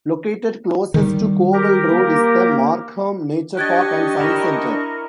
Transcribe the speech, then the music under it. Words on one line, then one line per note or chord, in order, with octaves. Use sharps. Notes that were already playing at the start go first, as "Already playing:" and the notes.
Located closest to Cowell Road is the Markham Nature Park and Science Center.
D#3 G3
G4 A#4
A#3
D4 G4 D#5 C#6 F#6 G#6 A6
E4 A#4